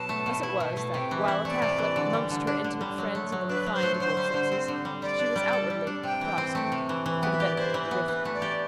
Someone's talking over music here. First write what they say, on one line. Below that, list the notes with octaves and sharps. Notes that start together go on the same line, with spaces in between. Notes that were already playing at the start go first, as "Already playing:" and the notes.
Thus it was that while a Catholic amongst her intimate friends and the refined of both sexes, she was outwardly a Protestant for the benefit of the riffraff.
Already playing: B2 F#3 A5
A3
B2
E4
B2
A3
C3 G5
E3
E5
E4
A3 D5
C3
E3
D3
G3
D3
D4
D3
G3
F#3
A3
F#3
D4 B4
F#3
C5
A3
D3 C5
G3
D3
C4
D3
G3
G3 D5
D4
G3
A4
G3
D4
C3 G5
E3
C4
A3
C3
E3
E3
B3 G5
E5
G4 D5
E4 C5
E3
B4
B3
E3 B4
A3
D5
G4